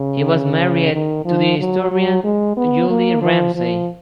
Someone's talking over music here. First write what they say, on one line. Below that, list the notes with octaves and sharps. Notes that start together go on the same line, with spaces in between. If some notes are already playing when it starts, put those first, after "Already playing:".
He was married to the historian Jully Ramsay.
Already playing: C#3
D#3
F3
F#3
F#3
G#3
B3
A#3
F3
F3